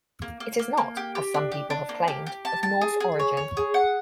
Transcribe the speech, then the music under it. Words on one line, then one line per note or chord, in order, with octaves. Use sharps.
It is not, as some people have claimed, of Norse origin.
A#3
A#3
A#3
A#3
G4
G4
D4
G4
D4
A#3
G4
G4
A5
A5
G#4
G#4
C#5
C#5
G#4
F#5